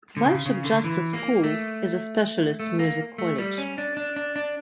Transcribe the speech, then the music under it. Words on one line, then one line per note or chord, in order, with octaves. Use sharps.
Bishop Justus School is a specialist Music College.
D3
C#3
C#3
D3
E3
A#3
A3
A3
A#3
A3
G3
C#4
D4
D4
D4
D4